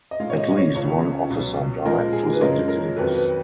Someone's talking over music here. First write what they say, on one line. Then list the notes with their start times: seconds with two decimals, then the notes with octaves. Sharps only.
At least one officer died to the disease.
0.11 D#5
0.20 A#2 G#3 F5
0.30 C#5
0.38 D#5
0.51 D#5
0.57 C#5
0.74 C#2 C#3 F3 C#5
1.30 C#2 B2 F#3
1.86 A#2 F3 G#3 A#4
2.13 G#4
2.33 B4
2.41 F#2 F3 G#3 A#4
2.68 A#4
2.96 F2 D#3 F#3 B4
3.15 B4